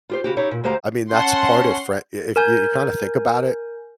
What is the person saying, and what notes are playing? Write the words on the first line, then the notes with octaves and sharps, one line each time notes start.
I mean, that's part of frie i if you kind of think about it,
F4 G4 C5
C#3 F#4 G4
D#4 E4 G4 C#5
A#2
D2 G#3 G4 C5 F5 A#5
C#4 F#5 A5 C6
A#4 G#5 G6